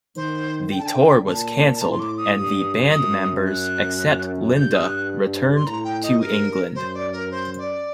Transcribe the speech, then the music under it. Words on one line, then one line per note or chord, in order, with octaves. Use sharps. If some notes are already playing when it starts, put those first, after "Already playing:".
The tour was cancelled and the band members, except Linda, returned to England.
D#3 C5
D3 G5
A5
G5
A#2 A5
A5
A2 A#5
C6
D6
D#6
G2 D#6
F#2 D#6
F#6
G2 G6
D#6
F#6
C6
A2 A#5
G5
D#5
G2 A#4
F#2 C5
D5
A#4
C5
D5